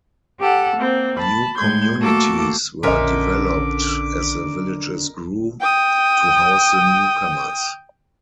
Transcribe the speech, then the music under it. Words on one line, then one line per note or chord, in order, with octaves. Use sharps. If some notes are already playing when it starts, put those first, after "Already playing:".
New communities were developed as the villages grew, to house the newcomers.
G4 A4 F#5
A#3 C4
A5 B5
A2 G#3 C6 G6 G#6
A3 A#3 F#4 A4 D6
A#1 D3 C#4 F4 A#4 D#5 D6 B6
G5 D#6